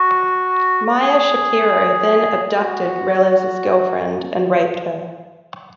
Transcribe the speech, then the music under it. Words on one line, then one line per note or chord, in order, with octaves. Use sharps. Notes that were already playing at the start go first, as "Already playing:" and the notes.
Meyer Shapiro then abducted Reles' girlfriend and raped her.
Already playing: F#4
G#4
F#4